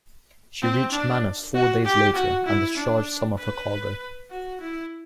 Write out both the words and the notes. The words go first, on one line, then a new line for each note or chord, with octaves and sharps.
She reached Manus four days later and discharged some of her cargo.
C4
D4
F#4
G4
F#4
E4
D4
B4
F#4
E4